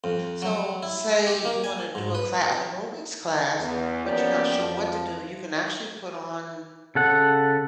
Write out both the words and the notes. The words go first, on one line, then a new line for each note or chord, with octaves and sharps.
So, say you wanna do a cla an aerobics class, but you're not sure what to do, you can actually put on
F2
F#3
E4
G4
A#3
G#5
G#2
B4
E2
F3 A#3 B3 C#4 G4 D5
F2 F3
C#3 A4 F#5